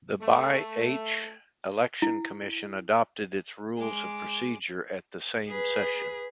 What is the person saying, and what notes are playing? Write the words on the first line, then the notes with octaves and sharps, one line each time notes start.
The BiH Election Commission adopted its Rules of Procedure at the same session.
A3
E4
G#3 D6
G#4 B4